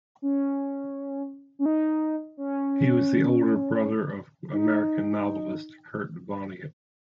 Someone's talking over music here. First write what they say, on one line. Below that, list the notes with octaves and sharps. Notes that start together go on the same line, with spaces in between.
He was the older brother of American novelist Kurt Vonnegut.
C#4
C#4
D#4
C#4
D#4